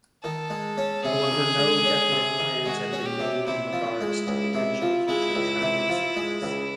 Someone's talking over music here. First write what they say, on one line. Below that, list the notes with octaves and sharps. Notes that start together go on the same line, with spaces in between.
However, no definite plans have been made in regards to potential future traffic signals.
D#3 A4
G#3
C#4
C3 G#4
D#3
G#3
C#4
C3
D#3
G#3 F#4
C#4
G4
C3
C3 E4
F3
G#3
C#2
C3
F3
G#3 E4
C#2
C3
F3
G#3
C#2